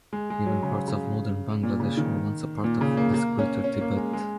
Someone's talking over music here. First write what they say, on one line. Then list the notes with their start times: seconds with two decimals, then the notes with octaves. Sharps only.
Even parts of modern Bangladesh were once a part of this Greater Tibet.
0.13 G#3
0.30 G#3
0.46 F#3
0.63 C#3
0.88 C#3
1.63 A#2
1.80 C#3
1.97 D#3
2.64 A#2
2.81 C#3
2.97 A#3
3.14 A#3
3.39 C#4
3.64 C#4
3.81 A#3
3.97 G#3
4.13 G#3